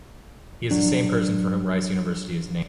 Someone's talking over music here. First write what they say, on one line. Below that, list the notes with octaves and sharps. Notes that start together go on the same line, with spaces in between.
He is the same person for whom Rice University is named.
F#3 D4